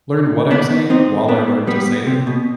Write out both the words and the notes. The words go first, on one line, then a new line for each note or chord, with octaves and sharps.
learn what I'm saying while I learned to say it,
B3 D4
C4 D#4
B3 D4
G3 B3
C3
B2